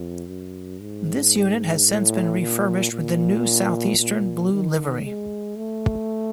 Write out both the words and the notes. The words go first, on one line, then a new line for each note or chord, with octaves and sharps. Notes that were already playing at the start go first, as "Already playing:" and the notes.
This unit has since been refurbished with the new Southeastern blue livery.
Already playing: F2
F#2
G#2
A2
A#2
A#2
A#2
D#3
G#3
A3